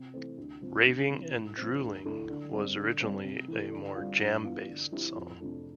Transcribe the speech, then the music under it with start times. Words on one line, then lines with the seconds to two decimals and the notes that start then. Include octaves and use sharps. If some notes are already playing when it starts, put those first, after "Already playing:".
"Raving and Drooling" was originally a more jam-based song.
Already playing: C3
0.14 E3 A3 C4
0.38 D2
0.61 C3 F3 C4
0.85 D2
1.09 C3 E3
1.34 A2
1.57 F3 C4
1.81 D2
2.05 D3 A3 E4
2.29 D3
2.52 G3 C4
2.77 D3
3.00 G3 C4
3.24 C3
3.48 E3 A3
3.72 D3
3.96 G3 C4 F4
4.20 G2
4.43 E3 B3 F4
4.68 D3
4.92 F3 C4 E4 G4
5.15 F2
5.40 C3 F3 A3 D4